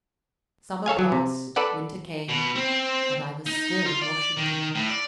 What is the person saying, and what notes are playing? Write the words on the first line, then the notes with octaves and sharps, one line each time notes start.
The summer passed, winter came, and I was still in Washington.
A4 C#5 F5 G#5
F#3
C3
A4 B4 D5 F#5
B2
C4
D#4
F4
D5
D#3
A2
D5